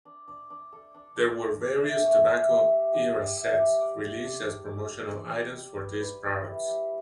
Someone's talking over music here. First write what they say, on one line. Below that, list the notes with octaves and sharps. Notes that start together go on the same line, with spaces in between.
There were various tobacco era sets released as promotional items for these products.
D4
D4
D4
A4
D4
D4
D4
D4
E5
A3
E5
G4
E5
G4
G4
E5
D4
D5
A4
A4
A4
D5
D4
D4
G3
G3
B4
B4
G3
E4
G3